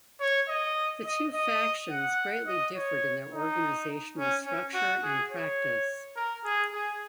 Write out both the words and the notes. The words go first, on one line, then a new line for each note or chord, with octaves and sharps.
The two factions greatly differed in their organizational structure and practice.
C#5
D#5
D#5
D#5
F#5
D#5
C#5
D#4
C#4
C#4
F#4
G#4
C#5
A#4
G#4
G#4